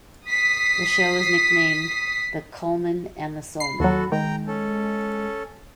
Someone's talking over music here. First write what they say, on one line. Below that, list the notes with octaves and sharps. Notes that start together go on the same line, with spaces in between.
The show was nicknamed the "Coleman and the Soul Man".
D#6 B6 C7
B5 C7
D#2 F#3 F#4 A4
D#3 G#3 G5 A#5
C#4 A4